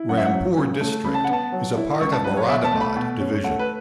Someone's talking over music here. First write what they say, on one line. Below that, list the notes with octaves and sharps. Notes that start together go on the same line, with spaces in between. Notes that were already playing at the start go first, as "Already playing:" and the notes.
Rampur district is a part of Moradabad division.
Already playing: E4
F#2 F#5
E5
F#5
F#3
C#3
A3
C#3 B5
A5
F#5
B3 A5
F#3
E4
C#2 C#6
A5
F#3 B4
C#5
B2 E5
A5
A3
B5
B2
C#4
A3 F#5
B4